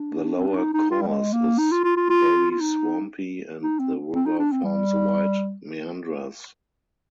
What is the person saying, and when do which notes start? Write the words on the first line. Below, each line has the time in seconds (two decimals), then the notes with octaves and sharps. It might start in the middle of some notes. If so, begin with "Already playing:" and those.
The lower course is very swampy and the river forms wide meanders.
Already playing: D4
0.37 C4
0.47 D4
0.57 D#4
0.74 D#4
0.91 F4
1.02 G3
1.08 G#3
1.33 A#3
1.58 D#4
1.71 F4
1.84 F4
1.97 F4
2.10 F4
2.51 F4
2.61 D#4
3.63 D#4
3.79 C4
4.14 C4
4.26 D#4
4.39 D4
4.52 C4
4.64 G3